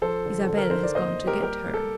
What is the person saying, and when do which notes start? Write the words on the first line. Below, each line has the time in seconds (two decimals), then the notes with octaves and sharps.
Isabel has gone to get her.
0.01 F3 A4 C5
0.25 D3
0.44 D3 A4
0.57 A#4
0.71 D#4 C5
0.83 D5
0.95 A#3 C5 D#5
1.19 A#3
1.27 G4 A#4
1.43 G3 G4 A#4
1.66 G3
1.74 A4